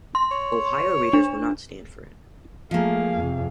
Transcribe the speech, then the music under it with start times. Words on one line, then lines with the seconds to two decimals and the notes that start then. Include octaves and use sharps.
Ohio readers would not stand for it.
0.15 C6
0.31 C#5
1.13 D4
2.71 F3 A3 A#3 G#4 F5
3.17 F2 C3